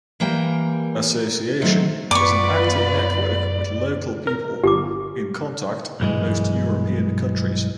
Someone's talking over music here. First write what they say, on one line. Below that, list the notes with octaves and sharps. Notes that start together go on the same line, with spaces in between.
Association is an active network with local people in contact in most European countries.
E3 G3 A#3 A#4 G5
D#3 F#3 A3 C4
F#2 B3 F4 B4 D5 C#6 D6
A#4
G1 G4 D6
B1 G2 E3 G#3